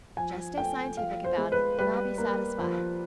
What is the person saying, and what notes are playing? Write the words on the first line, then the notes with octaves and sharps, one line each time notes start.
Just stay scientific about it and I'll be satisfied.
F3 G#5
A3 G5
F3 F5
C5
G#3
B4
G3 B4
A#3
F3